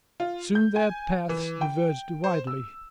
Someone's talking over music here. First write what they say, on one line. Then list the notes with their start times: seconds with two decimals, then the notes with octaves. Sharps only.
Soon their paths diverged widely.
0.20 F4
0.55 G6
0.76 G#5
1.29 E3
1.61 G5
2.24 C5
2.47 E6